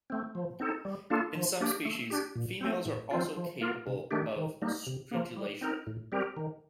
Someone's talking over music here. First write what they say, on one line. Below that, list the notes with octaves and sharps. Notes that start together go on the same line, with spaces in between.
In some species, females are also capable of stridulation.
A3 C4
F3
C4 D#4 A4
G3
A#3 D4 F4 A4
F3
A#3 D4 G4
A3
D4 G4
A#2
A3 C4
A2
F3 C4 F4
F3
A#3 F4 A#4
C3
D#3 A3 D4 G4
D#3
G3 A#3 D#4
C3
F3 A#3
G3
C4 D#4 A#4
A2
G3 C4 G4 A#4
D#3